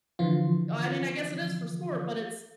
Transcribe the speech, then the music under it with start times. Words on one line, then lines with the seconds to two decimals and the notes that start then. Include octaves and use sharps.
I mean, I guess it is for sport, but it's
0.19 D3 E3 F3 F4